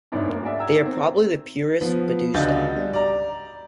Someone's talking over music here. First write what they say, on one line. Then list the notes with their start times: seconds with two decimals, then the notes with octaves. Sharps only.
They are probably the purest Baduy stock.
0.12 G#1 F#2 C#4 D4 E4
0.25 D2 A#3 A#4
0.43 F#4 G#4 D5 E5
0.58 G5 A#5 E6 G#6
0.72 D#3
0.86 C4
1.81 F3 B3
2.34 C#2 D3 F#4 D#5 G6 A6
2.76 G3
2.93 D5 A#5